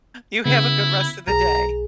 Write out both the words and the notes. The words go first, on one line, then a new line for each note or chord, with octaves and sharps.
You have a good rest of the day.
C#3 B3 E4
B1 G#4 A#5